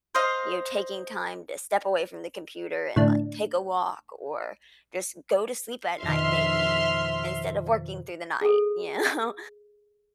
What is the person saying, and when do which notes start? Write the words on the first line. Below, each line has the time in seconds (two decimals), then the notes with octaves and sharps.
you know, taking time to step away from the computer and, like, take a walk, or just go to sleep at night maybe instead of working through the night, you know?
0.15 C5 D#5 F5
2.96 A2 D3 D4
6.02 F2 B2 D#3 E5 C6 F6
8.41 G#4 A4